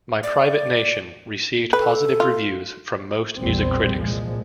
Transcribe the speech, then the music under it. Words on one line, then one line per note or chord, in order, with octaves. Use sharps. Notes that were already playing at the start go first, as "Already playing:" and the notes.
"My Private Nation" received positive reviews from most music critics.
D5
A4 B4
F4
A#1 E2 A#2 G3 C4
C2 A#2 F3 G#3